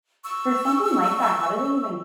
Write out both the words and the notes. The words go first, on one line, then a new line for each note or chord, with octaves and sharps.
for something like that, how do they even
C#6 E6